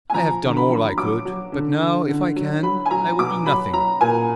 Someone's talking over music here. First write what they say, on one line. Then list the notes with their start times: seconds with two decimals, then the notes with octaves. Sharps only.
"I have done all I could, but now, if I can, I will do nothing."
0.10 G#5
0.14 F3 A#5
0.43 D3
0.57 B5
0.70 F3
0.97 F#3 D6
1.25 F#3
1.52 D3
1.80 D3
2.08 D3
2.36 F#3
2.63 F#3 B5
2.86 G#5
2.91 F#3 A#5
3.19 B2 D6
3.46 F#3 B5
3.73 F#3 A#5
4.01 A#2 G#5